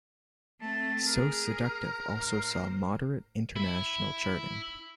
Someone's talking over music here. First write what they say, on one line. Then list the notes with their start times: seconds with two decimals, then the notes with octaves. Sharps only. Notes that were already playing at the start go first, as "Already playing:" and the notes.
"So Seductive" also saw moderate international charting.
0.61 A3 C4 A5
1.06 G#4 A#4
2.12 A2 C5
3.56 E4